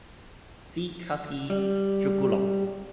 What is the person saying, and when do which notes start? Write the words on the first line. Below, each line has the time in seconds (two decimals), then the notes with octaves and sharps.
See "Carpe Jugulum".
1.50 G3